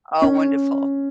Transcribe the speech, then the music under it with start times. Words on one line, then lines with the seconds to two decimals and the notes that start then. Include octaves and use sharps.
Oh, wonderful.
0.22 C#4